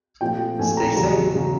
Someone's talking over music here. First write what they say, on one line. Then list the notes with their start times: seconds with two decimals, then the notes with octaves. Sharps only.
Stay safe.
0.21 A#2 F3 A3 C4 G5
0.58 A#2 F3 A3 C4 G#5
0.77 A#5
0.97 E2 C#3 F#3 A#5
1.34 C#3 F#3